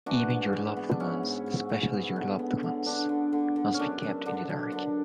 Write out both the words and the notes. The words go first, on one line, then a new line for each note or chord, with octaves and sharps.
Even your loved ones-especially your loved ones-must be kept in the dark.
E3 D4 F#4
G#2
G#2
B3
D4
G#2 C#4 E4
G#2
G#2
G#2
B3
D3
B3
D3
D3 D4
D3
D3
D3
C#4
F#2 D4
F#2
D3 D4
F#2
D3 D4